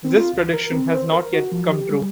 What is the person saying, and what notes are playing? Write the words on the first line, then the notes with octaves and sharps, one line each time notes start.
This prediction has not yet come true.
C4
F4
D2
A#4
C4
C5
A#4
F#4
F3
G4
G3